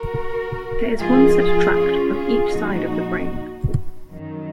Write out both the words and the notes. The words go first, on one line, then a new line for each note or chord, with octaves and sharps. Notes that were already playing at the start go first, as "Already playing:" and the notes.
There is one such tract on each side of the brain.
Already playing: F#4 A#4
F2 F3 G#3 F4 G#4
F4 G#4
C#4 F4
F4 G#4
A#2 F3 G#3 D#4 F#4
F#2 D#3 F#3